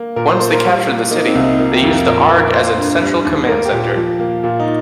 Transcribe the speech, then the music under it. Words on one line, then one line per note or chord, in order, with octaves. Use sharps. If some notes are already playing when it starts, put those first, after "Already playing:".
Once they captured the city, they used the Arg as a central command center.
Already playing: A#3
A#2 A#4
C5
A#3 C5
A#4
G3 F4
A#3
A#3 D#4
C4
C2
D#4
A#3 F4
G4
F2
A#4
A#2 A#4
F4
A#3
A#4
A#3 C5
G2
G3
D#2
A#3 A#4
G4
A#2
G4
F3
A#3
A#2 F4
D#4